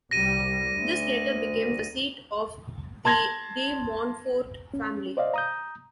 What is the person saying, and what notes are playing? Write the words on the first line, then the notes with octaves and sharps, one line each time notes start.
This later became the seat of the De Montfort family.
C2 G3 A#6 D#7
D2
A5 C6 G#6 A#6
C#4
C5 D5 D#5 F5
A#5 D#6 G6